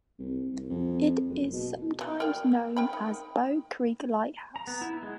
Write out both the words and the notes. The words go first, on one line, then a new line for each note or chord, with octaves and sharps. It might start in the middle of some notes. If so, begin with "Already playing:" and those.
It is sometimes known as Bow Creek Lighthouse.
C2
C2
F2
F#1
B2
E3
A#4 D5 G5
A#4 G5 B5
D#4
A#5
B3
E4
G#3